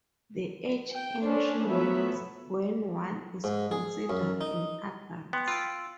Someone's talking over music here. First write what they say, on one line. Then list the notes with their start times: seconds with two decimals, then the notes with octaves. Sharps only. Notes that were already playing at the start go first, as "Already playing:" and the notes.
The age entry notes when one is considered an adult.
0.92 G5
1.24 C#4 D4 A4 C5
1.67 F3 F#3 A3 B3 C#5 E5
3.44 G#2
3.71 G#4
4.10 F#2
4.41 D#4
5.33 B3 G5 C6
5.48 F4 C6 E6 D7